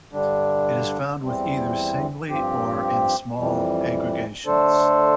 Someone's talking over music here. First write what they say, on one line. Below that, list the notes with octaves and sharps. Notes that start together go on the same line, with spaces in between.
It is found with either singly or in small aggregations.
G2 D3 G3 D4
E2 E3 G3 C4
G2 F3 C4 G4
F2 E3 G3
D3 A3 D4 A4 C5